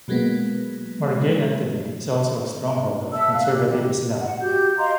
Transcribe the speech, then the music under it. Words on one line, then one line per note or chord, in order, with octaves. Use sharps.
Margilan today is also a stronghold of conservative Islam.
B2 F#3 G#3 A#3 B3
E5 A5 E6
F5 F#6
G4
F#5
F#4 G4 G6
D#5 F5 A#5 C6